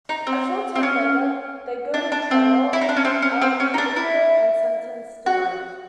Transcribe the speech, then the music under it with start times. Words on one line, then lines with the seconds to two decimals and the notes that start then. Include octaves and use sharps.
A short time later, they go to trial, are convicted, and sentenced to life.
0.09 D#4
0.27 C4
0.75 C4
0.83 C#4
1.94 D4
2.12 D4
2.31 C4
2.73 E4
2.81 D#4
2.89 D4
2.96 C#4
3.05 C4
3.22 C#4
3.41 C4
3.60 C#4
3.74 D#4
3.78 D4
3.96 E4
5.26 F#4